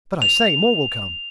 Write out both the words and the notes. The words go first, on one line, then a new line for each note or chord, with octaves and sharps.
But I say, more will come!
F7